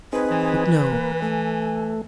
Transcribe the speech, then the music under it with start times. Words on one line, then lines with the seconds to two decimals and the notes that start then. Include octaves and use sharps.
But no.
0.13 C4 D#4 G#4 B4
0.31 E3
0.92 A#3
1.22 A3 G#5